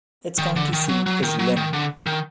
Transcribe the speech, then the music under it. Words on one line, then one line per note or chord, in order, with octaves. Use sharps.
Its county seat is Linn.
D#3
D3
D#3
F#3
F#3
D#3
F#3
D#3
D3
D#3